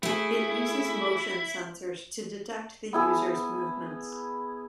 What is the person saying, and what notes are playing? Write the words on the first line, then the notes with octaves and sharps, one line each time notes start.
It uses motion sensors to detect the user's movements.
A3 E4 G#4
B3 E4 G#4 A5